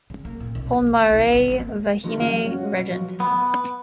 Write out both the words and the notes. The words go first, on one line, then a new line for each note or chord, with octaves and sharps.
Po-maré Vahiné Regent.
C#3
A#3
A#2
B1
D2
A#3
C2
G#1
G#1
A#3
D3 D#3 F3 G#3 A3 D#4
C#3 F3 E4 G#4 F5
G3
C#4 F#4
B2
F3 F#3
B3